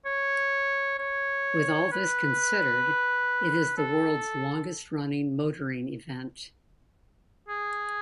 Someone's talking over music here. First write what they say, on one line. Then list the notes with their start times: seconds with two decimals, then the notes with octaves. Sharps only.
With all this considered, it is the world's longest running motoring event.
0.06 C#5
0.99 C#5
1.92 B4
3.78 A4
7.49 G#4